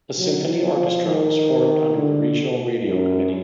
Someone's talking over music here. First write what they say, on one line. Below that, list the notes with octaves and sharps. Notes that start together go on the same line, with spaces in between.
The symphony orchestra was formed under the regional radio committee.
F#3
F3
D#3
D3
F#2